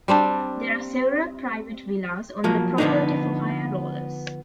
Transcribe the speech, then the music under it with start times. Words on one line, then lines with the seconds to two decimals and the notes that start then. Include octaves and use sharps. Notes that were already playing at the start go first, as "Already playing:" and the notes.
There are several private villas on the property for high-rollers.
0.08 G3 C4 D4
2.44 F3 F#3 A#3
2.78 D3 F3 G#3 B3 D4 D#4